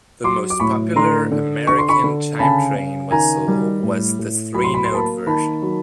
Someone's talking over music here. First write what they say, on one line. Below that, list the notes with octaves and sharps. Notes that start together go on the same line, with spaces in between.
The most popular American chime train whistle was the three-note version.
F#3 C6 D6
D6
A2 B5 C#6
D3 A#5 C6
D3
D3 C#6
C6
B5 C#6
D3
C#3 A5 B5
C#3
D#3 G#5 A#5
G3
A2
A2
F#3 B5
C6
B5
C6
A#3 A5 B5
D#3 A5 B5
F#3